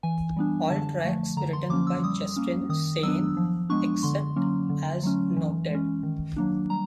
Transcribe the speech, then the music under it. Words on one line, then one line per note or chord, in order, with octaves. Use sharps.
All tracks written by Justin Sane except as noted.
E3 G#5
G3 B3 D4
D3 A5
F3 A3
D3 A#5
C6
F3 A#3 C#4 D6
E6
G3 D#6
A#3 C#4
D#3 D#6
F#3 B3 D4 E6
F3
G#3 B3 D4 C#6
D3 C6
F#3 A#3 C#4
D3
F#3 A3 C#4
E3
G#3 C#4
D#3
F#3 A#3 D4
G3 A#5